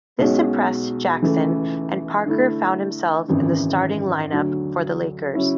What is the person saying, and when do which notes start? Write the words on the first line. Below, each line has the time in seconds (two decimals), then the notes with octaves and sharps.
This impressed Jackson, and Parker found himself in the starting line-up for the Lakers.
0.19 B1 B2 G#3 C#4 F#4
1.22 C#2 C#3 E3 A3
2.26 D3 A3 E4
3.28 G#1 F#2 C#3 E3
4.32 D2 D3 F#3
5.34 C#3 F#3 C#4 E4